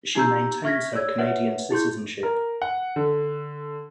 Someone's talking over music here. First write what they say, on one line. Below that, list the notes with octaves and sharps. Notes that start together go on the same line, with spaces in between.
She maintains her Canadian citizenship.
D#4 G4 A#5 E6 G6
E5 C#6 F6 G#6 A#6 B6
C#5 D5 E6 G#6
B4 C#5 E5 F#5
E4 G#4 C6 G6
A#4
F#5
D3